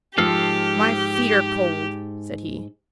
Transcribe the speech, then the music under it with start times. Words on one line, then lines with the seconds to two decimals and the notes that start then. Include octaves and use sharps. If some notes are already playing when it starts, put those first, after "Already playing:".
"My feet are cold!" said he.
0.18 G#2 F3 G4 A4 F6 C7